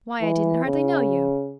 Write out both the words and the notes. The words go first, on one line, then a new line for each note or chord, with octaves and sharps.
"Why, I didn't hardly know you!"
E3
C#3